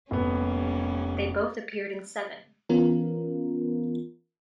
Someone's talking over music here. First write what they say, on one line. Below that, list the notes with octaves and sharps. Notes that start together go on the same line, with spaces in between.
They both appeared in seven.
F1 G3 A#3 B3 C#4
E3 B3 C#4 F4 A#4